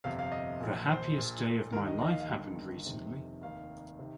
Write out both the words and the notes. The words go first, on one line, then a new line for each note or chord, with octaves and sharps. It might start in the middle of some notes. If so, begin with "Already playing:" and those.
The happiest day of my life happened recently.
G1 F2 C3 F5
F5
D#5
A#1 A#2
C5
A#1 A#2
D#2 D#3 A#4
D#5
D#5
F5
F5
G1 G2 D#3
F1 F2 C3 D#3
F1 D#2 D#3 F5
C3 D#3